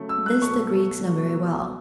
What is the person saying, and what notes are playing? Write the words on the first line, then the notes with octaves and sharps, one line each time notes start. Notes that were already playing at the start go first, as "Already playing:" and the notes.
This the Greeks knew very well.
Already playing: C#3 F#3 A3
E6
F#6
B2 F#3 A3 C#6
B2 F#3 A3